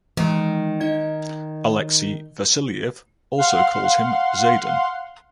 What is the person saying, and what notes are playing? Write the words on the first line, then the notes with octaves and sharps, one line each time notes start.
Alexei Vassiliev also calls him Zaidan.
D#3 E3 G#3
D#4 D#5 G#6
F5 F#5 C6